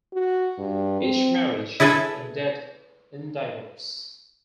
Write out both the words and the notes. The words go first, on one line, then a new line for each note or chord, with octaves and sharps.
Each marriage ended in divorce.
F#4
G2
C4
E4 G#4 A4 B4 E5